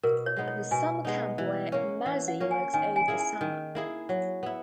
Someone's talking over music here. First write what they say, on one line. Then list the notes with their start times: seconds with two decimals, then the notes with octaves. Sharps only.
The summer camp where Maddie works over the summer.
0.03 B2 A#4
0.26 C#5
0.37 G#3 B3 D#4
0.48 C#5
0.71 B2 G#5
1.05 G#3 B3 D#4
1.38 E3
1.72 A#3 C#4
2.05 E3 F#5
2.28 F#5
2.40 A#3 C#4
2.51 G#5
2.73 D#3 G#5
2.96 G#5
3.08 A#3 E4 G#4
3.19 G#5
3.41 D#3
3.75 A#3 E4 G#4
4.09 F#3
4.43 B3 E4